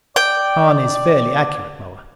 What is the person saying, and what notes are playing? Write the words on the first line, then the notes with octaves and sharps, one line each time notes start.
"Hahn is fairly accurate, Moa."
D5 G5